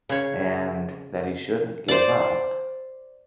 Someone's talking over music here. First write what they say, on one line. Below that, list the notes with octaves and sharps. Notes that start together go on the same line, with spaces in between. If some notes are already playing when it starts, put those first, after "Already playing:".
And that he shouldn't give up,
C#3 C#5
C5 D5